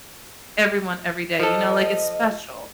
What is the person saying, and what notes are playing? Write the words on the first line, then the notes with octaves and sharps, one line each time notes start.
everyone every day. You know, like, it's special.
F3 A4 D#5